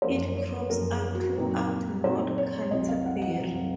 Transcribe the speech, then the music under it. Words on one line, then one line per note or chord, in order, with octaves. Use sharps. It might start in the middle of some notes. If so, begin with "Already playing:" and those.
It crops out throughout North Canterbury.
F#2 F3 A#3 C5
C#5
F#2 F3 A#3 A#4
G#4
F#4
A#2 F#3 C4 D#4
A#2 F#3 C4 D#4 C5
C#5
C2 C3 F#3 D#5
F5
F#5
F#5
C2 C3 F#3